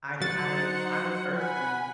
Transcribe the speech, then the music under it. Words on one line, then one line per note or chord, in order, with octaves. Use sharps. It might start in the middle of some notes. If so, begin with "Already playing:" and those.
I ca I I personally,
F#3 D#4 C5 F#5 A6
F#5 G#5 B5